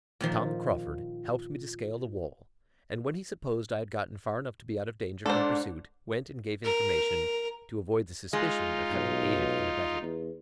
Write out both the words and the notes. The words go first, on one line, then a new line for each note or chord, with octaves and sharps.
Tom Crauford helped me to scale the wall; and when he supposed I had got far enough to be out of danger from pursuit, went and gave information, to avoid the suspicion of having aided and abetted.
A#2 D#3 F3
G#2 D4 A4 C5
A#4
G#3 D#4 F4
B1
E2